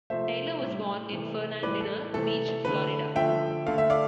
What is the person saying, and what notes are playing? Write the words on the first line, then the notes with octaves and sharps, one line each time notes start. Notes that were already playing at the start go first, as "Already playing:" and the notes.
Taylor was born in Fernandina Beach, Florida.
C3 F3 A3 C5 E5
A2 G3
C3 E3 A3
A2 E3 G3 B4 D5
A4
C3 E3 A3 A4
D3 A3 B4
D3 F3 A3 E5 G5
D3 A3 F5
E5
D5 F5